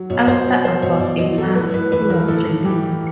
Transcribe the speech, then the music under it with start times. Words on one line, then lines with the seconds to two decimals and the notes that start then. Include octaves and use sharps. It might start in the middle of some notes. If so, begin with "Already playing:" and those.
After about a month, he was released.
Already playing: F#3
0.10 B2 C#5
0.28 B2 C5
0.47 F#3 C#5
0.64 F#3 C5
0.82 B2 C#5
1.00 B2 D5
1.19 F#3 D#5
1.38 F#3 A4
1.55 A2 B4
1.74 A2 B4
1.92 E3 B4
2.10 E3 A#4
2.28 A2 A4
2.47 A2
2.65 E3 G4
2.83 E3